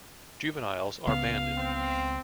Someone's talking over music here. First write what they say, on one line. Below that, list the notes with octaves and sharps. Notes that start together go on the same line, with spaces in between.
Juveniles are banded.
C#2 C#3 B3 F5
C4